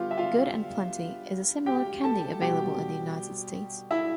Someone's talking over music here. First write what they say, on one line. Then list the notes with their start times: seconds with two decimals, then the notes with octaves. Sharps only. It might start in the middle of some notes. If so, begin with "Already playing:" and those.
Good and Plenty is a similar candy available in the United States.
Already playing: D3 G3 B3 F4 G4 F5
0.11 E5
0.18 F4 F5
1.66 G4 G5
2.04 A4 A5
2.41 B2 G3 C4 G4 G5
3.91 E4 E5